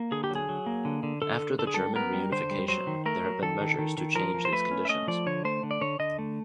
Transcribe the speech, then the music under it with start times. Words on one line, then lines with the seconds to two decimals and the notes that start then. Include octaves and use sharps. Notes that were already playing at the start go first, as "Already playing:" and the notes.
After the German reunification there have been measures to change these conditions.
Already playing: A#3
0.11 D3 G#4
0.24 G4
0.30 F#3
0.35 G#4
0.49 F#3
0.66 A#3
0.85 D3
1.03 D3
1.22 D3 A4
1.40 D3
1.59 D3 A4
1.67 G#4
1.74 G3 A4
1.95 B3 A#4
2.13 G3
2.32 D3 C5
2.51 G3
2.68 F#3 C5
2.87 D#3
3.06 A3 A#4
3.24 F#3
3.43 D#3 A4
3.61 D#3
3.79 D#3
3.98 D#3
4.16 F3 A#4
4.34 F3
4.45 C5
4.52 A3 B4
4.71 C#4
4.85 E5
4.89 A3 D#5
5.08 F3 D5
5.26 D3 C#5
5.45 A3 C5
5.63 D3
5.71 D5
5.81 D3 C#5
5.99 D3 D#5
6.19 A3